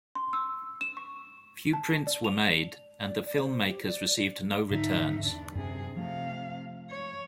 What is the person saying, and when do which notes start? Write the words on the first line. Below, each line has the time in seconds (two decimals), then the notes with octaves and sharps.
Few prints were made and the film-makers received no returns.
0.15 C6
0.33 E6
0.81 E7
0.97 C#6
1.73 A5
2.07 D5
2.24 F7
3.01 D5
3.24 D5
3.39 C5
3.64 G4
3.87 D5
4.71 G#2 D3 D#4 E5
5.20 E2 D4
5.55 F#2 C3 D4 G#4
5.97 C3 F3 A3 F5
6.90 C#5